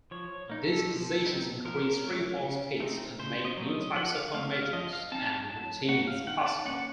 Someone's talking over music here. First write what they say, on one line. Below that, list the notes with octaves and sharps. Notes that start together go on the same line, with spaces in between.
These positions increase freefall speeds and make new types of formations and routines possible.
F3 C#5
A#3 D#4
A4
F3
C4 D#4
F3 A#4
A3 C#4
C#3
A3 C4 D#4
C#3 C5
D#5
F#3 A3
D#5
F3 F#5
F5
A3 C4 F5
F5
F3 D#5
F5
C4 D#4 A5
A5
F#3 A5
A#3 C#4 F#5
F5
D#3 F#5
A5
A#3 C#4 F#5